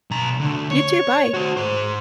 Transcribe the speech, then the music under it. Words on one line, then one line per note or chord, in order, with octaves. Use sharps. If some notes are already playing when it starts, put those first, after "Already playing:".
You too. Bye.
B1 A#5
D2 D3
C#5
F#4 C5
G#2 C5